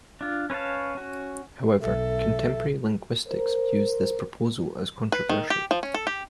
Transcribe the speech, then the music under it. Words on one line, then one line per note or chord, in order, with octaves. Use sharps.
However, contemporary linguistics views this proposal as controversial.
D4 F4
C#4 B4 C#5 F5 A5
C#4 F#4
B1 A4 E5
A#4 C5
B4
D#3
G4
F3
C#4
A4
G4